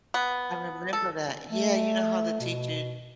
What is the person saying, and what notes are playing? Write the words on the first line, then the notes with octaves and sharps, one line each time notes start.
I remember that. Yeah, you know how the teacher
B3
A4
A3
B2